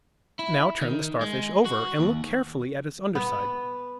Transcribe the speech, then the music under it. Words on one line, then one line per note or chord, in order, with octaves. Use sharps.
Now turn the Starfish over, and look carefully at its underside.
E4
D#3
G#3
F#4
D#2
B3